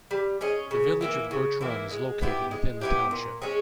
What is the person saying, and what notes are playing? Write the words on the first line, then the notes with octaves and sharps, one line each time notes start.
The village of Birch Run is located within the township.
G3
C#4 G#4 D#5
C#3
E3 A#3 E4
C#3
E3 A#3 E4
G#3
B3 E4 G4
G#3
B3 E4 G4
A#2
G#3 C#4 G#4